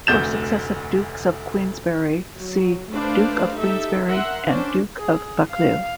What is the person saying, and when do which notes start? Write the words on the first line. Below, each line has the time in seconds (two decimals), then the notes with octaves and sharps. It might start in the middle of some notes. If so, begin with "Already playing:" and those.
"For successive Dukes of Queensberry see" Duke of Queensberry "and" Duke of Buccleuch.
0.07 F1 D2 G6 E7
2.40 F#3
2.92 A3 D4 B4 C5 F5
3.55 D#4 G4 A4 E5
4.07 A#4 E5 F#5 C6
4.47 C#4 D4 C5
4.99 G#4
5.50 F5